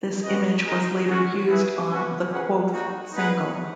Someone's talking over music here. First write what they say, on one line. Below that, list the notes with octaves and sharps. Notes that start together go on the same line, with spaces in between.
This image was later used on the Quoth single.
C#4 F#4 B4 D#5
G#3 D#4 A#4 D#5
G#3 C#4 F#4
E4 G#4 B4 E5
C#4 F#4 B4 F#5
C#4 G#4 B4 F#5
A#3 D#4 F#4
D#4 G#4 B4 F#5